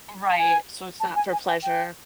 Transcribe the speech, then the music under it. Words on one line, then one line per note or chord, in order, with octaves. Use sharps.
Right, so it's not for pleasure.
A5
G#5
A5
G#5
G#5
G5
G5